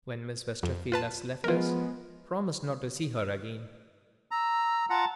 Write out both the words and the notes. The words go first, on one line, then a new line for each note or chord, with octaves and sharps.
"When Miss Westerfield has left us, promise not to see her again."
F2
F4 B4 A5
F3 G#3 B3 F4 A#4
A#5 E6
F4 F#5 A5 A#5